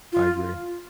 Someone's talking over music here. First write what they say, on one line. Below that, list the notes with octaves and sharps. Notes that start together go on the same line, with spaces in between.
I agree.
F4